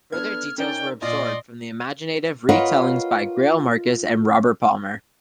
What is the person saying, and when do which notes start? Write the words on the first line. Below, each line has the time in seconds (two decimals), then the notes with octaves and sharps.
Further details were absorbed from the imaginative retellings by Greil Marcus and Robert Palmer.
0.12 B3 D4 A4 F6 G#6
0.58 C#4 D#4 A#4 D5 G5
1.02 A#2 F4 D5 D#5 C6
2.49 F4 A#4 B4 C#5 D#5 F#5